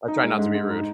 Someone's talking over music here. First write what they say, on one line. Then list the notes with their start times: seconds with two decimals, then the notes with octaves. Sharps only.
I try not to be rude.
0.08 D#4
0.23 G#3
0.39 G#2
0.55 G#2
0.70 D#4